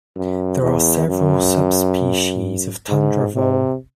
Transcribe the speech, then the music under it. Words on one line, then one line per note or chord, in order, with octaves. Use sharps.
There are several subspecies of tundra vole.
F#2
E2
F#2
G#2
C3